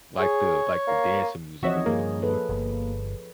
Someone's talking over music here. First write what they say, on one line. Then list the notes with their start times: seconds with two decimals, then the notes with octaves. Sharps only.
Like the like the dancing music a little more.
0.19 G#4 C#5
0.87 A#3
1.63 E3 F3 C4 F#4 C#5 D#5 E5
1.86 G2 A#3 G#4
2.22 A4 B4
2.49 G1